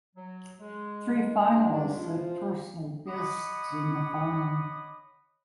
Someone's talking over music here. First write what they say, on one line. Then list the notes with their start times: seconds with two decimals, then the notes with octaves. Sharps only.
Three finalists set personal bests in the final.
0.16 F#3
0.60 G#3
1.52 G2 D4
1.96 F3 F4
3.08 C#5 D#5 F#5 B5 D6 D#6